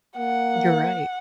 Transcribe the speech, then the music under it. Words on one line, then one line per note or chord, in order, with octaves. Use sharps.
You're right.
A#3 F#5